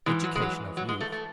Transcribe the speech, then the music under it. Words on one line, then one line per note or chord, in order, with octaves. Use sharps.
Education of Youth.
G#2 E3 G#3
F#3
G#3
F#3
F#3
G#3
A3
A3